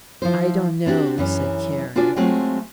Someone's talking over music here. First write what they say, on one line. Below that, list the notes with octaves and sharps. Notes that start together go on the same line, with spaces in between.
"I don't know," said Carrie.
F3 E4 C5
C4 D4 F#4 G4
F#2 E3 C#4
D4 F4 F#4 G#4 B4 D5
F#3 G#3 A3 C4 F4 F#4